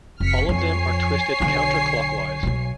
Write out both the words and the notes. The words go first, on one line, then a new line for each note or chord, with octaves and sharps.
All of them are twisted counterclockwise.
F1 F6 B6 C#7
F2 C#5 G#5 C7
B1 D3
B1 B2